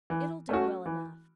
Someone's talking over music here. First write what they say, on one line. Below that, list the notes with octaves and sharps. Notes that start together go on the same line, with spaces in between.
'It'll do well enough.
E3
A3 C#4 F#4
E3